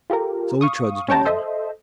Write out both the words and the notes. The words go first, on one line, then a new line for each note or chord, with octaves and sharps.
So he trudged on.
F4 G4 A4 A#4
F5 C#6 D#6
C#4 G4 C#5 G5 A5 A#5
A4 C5 D#5 E5